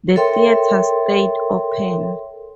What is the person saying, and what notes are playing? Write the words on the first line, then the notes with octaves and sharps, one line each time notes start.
The theatres stayed open.
A4 A#4 C#5 E5 G5 C6